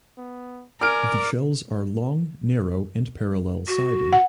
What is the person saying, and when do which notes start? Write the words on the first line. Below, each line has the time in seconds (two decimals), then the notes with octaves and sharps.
The shells are long, narrow, and parallel-sided.
0.18 B3
0.81 A#4 D5 G#5 F6 D7
3.67 F#4
4.13 F#5